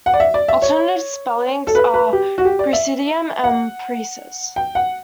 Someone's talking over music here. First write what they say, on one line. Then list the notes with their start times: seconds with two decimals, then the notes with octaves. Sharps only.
Alternative spellings are "presidium" and "preses".
0.06 F#5
0.14 D5
0.20 E5
0.34 D5
0.48 E5
0.62 C#5
1.67 A4
1.75 B4
1.94 B4
2.13 G4
2.38 F#4
2.45 G4
2.59 D5
2.73 E5
3.44 F#5
4.56 G5
4.75 F#5